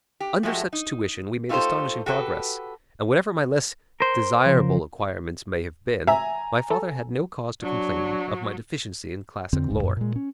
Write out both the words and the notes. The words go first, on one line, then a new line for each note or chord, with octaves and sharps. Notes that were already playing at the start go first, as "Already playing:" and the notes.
Under such tuition, we made astonishing progress; and whatever my less desirable acquirements may have been, my father had no cause to complain of my deficiency in classic lore.
G4
F3 G#3 A3 F#4 G4
D#4
A3 D#4 F4 G4 A4 C5
F#4 G4 A4 B4
A#4 C5
C#3 F3
E5 G#5 A#5
A4
F#3 D4
F2 D3 C4
D#1 D2 G#2
F#2 A#2
A#2 G#3
C#4